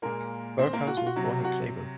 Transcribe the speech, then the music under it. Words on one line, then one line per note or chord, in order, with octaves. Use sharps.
Berghaus was born at Kleve.
A#2 G#3 A#3 A#4
C4 C5
A#3 A#4
F#4
F4
F#4
C3 F#3
F#4